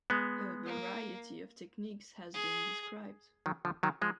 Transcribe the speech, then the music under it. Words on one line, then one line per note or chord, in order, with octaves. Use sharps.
A variety of techniques has been described.
G#3 B3
A#3
G#4
D#3 F#3
D3 F3
D#3 F#3
F3 G#3